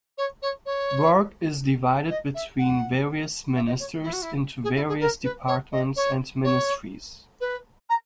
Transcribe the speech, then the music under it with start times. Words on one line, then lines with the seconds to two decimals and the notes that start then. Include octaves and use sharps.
Work is divided between various ministers into various departments and ministries.
0.18 C#5
0.42 C#5
0.66 C#5
2.10 D#5
2.35 E5
2.59 F#5
3.56 E5
3.67 D#5
3.80 C#5
4.03 E4
4.13 F#4
4.22 E4
4.64 G#4
4.76 E4
4.88 G#4
5.00 A#4
5.24 B4
5.47 C#5
5.72 D#5
5.96 C#5
6.44 C#5
7.41 B4
7.90 A#5